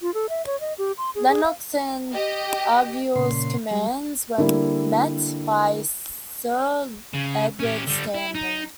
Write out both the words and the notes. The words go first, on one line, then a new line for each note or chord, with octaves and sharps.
Lennox and Argyll's commands were met by Sir Edward Stanley.
F4
A4
E5
C#5
D#5
G4
C6
G#4
G#4
F5
G4 D#5
A#2 C#3 C6
G3 G#3
D3 G3 A#3 E4
C#3
C#4 G4
D3 G3
E4
D#4